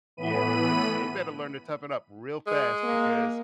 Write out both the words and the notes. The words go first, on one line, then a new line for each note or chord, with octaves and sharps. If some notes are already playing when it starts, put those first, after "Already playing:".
"Yeah, they they they better learn to toughen up real fast because,
A2 E3 B3 B5 D#7
G#3
A#3